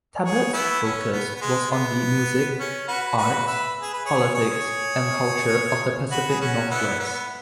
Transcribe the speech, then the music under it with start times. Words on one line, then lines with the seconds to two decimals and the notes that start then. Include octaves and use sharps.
"Tablet's" focus was on the music, arts, politics and culture of the Pacific Northwest.
0.23 G#4 C#5
0.53 B3 E4
0.83 C#4
1.12 B3
1.35 B3
1.41 G#3
1.71 B3
2.59 C#4
2.88 F#4 B4
3.17 F#4 B4
3.47 B4 E5
3.81 G#4
3.93 B4
4.06 G#4 C#5
4.34 G#4 C#5
6.11 F#4 B4
6.30 G#4
6.40 C#4 F#4
6.70 B3 E4
7.00 B3